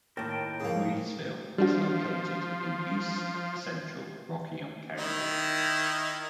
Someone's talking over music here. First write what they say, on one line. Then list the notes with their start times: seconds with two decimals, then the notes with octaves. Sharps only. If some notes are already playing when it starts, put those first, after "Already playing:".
Reidsville is located in east central Rockingham County.
0.17 D#2 A2 A#4 G5 A5
0.60 G#2 C#3 F3 A#3
1.58 F3 G3 D4 F#4
4.98 D#3 D#4 E4